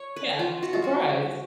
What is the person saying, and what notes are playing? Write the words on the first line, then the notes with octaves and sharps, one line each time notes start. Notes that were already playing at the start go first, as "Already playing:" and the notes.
Yeah, surprise.
Already playing: C#5
B4
F4
F#4
F4
F#4